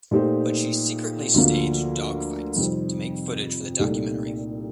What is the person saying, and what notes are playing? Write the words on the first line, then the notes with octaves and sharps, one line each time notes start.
But she secretly staged dogfights to make footage for the documentary.
A#2 A3 D#4 G4 C5
D2 D3 F3 A#3
F2 C3 D#3 G3 C4
C2 A#2 A3 D#4 G4